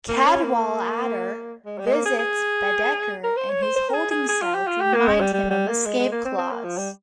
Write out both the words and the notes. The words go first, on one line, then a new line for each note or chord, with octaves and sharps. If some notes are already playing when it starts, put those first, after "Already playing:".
Cadwallader visits Bedeker in his holding cell to remind him of the escape clause.
A#3
C#4
A#3
G#3
G3
G#3
A#3
G#4
G#4
A#4
C5
C#5
C5
C5
A#4
G#4
G#4
G#4
F4
G4
F4
G4
A#3
G#3
G3
G3
G3
A#3
G#3
G#3
A#3
C4
C4
A#3
F3
G3